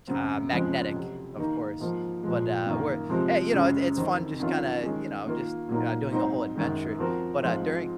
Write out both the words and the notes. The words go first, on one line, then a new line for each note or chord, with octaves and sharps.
ch uh, magnetic, of course, but, uh, we're Eh, you know, it it's fun just kinda, you know, just, uh, doing the whole adventure, but, uh, during
F#2 C#3 F#3 C4
F2 C#3 F3 G#3 C4
F2 C3 F#3
D#3 A#3 D#4
G#2 F3 A#3
A#2 F3 G#3
F#2 D#3 A#3
C3 F3 G#3 C4
F#2 C#3 G#3 C#4 G#4
F2 D#3 F#3 C4
F2 D#3 F#3 C#4 F4
D#3 G#3 C#4 G#4
D#3 A#3 F4 A#4
A#2 F#3 A#3 D#4
G#2 F#3 C4 D#4
F#2 D#3 G#3
F3 C4 F#4 A#4
G#2 F3 G#3 C4 F4